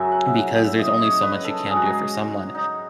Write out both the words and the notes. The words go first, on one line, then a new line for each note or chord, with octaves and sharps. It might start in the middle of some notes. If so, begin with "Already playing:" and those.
because there's only so much you can do for someone,
Already playing: F#2 C#3 F#3 E5
F#5
E5
F#5
E5
D#5
D#5
C#5
B4
A4
G#2 F#3 G#4
F#4
G#4
D#4